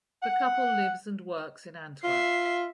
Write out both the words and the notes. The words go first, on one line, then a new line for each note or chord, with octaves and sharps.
The couple lives and works in Antwerp.
F#5
F4 E5 C7